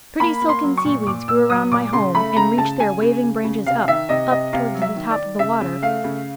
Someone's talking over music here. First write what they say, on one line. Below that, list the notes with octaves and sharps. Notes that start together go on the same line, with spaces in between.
Pretty silken sea weeds grew around my home and reached their waving branches up, up towards the top of the water.
A#3 B5
A#3
C6
F#3
C#6
A#2
A#2 D6
A#2 E6
F#3 D#6
A#2 D6
C#3 C6
A3 B5
C#3 A#5
C#3 A5
C#3 G#5
C#3
C#3
C#3
C3 F5
D#3 E5
C3 D#5
C3 D#5
C3 F5
F#3
E5
D#3
D5
D#3
C#3 E5
C#3
A3 F5
C#3